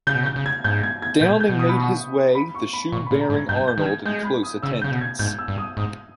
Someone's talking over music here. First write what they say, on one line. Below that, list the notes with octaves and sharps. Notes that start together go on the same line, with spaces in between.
Downing made his way, the shoe-bearing Arnold in close attendance.
C#3 G6
B2
C#3
G6
C#3
G#6
G#2 G6
G#6
G#6
A#2 G6
G6
B2
D#6
B5
C#6
B5
C#6
B5
A#2 C#6
B5
A#2
A#5
G#2
G#6
G2 G6
G6
D#3
G#6
G#3 G6
B5
D#6
C#3 E6
G6
C#3
B2
G#6
G#2 G6
E6
G2
D#6
G#2 D#6